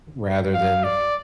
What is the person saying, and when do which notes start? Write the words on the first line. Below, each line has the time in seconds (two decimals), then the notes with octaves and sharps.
rather than
0.54 F5
0.84 D5